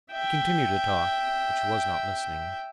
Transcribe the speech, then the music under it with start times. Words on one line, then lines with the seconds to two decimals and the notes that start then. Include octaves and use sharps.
He continued to talk, but she was not listening.
0.12 E5 G5